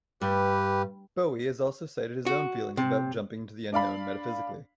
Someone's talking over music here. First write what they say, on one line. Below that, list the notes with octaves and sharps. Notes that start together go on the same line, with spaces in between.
Bowie has also cited his own feelings about jumping into the unknown metaphysically.
G2 G4 B4
F#4
C3
D4 D5 F5 B5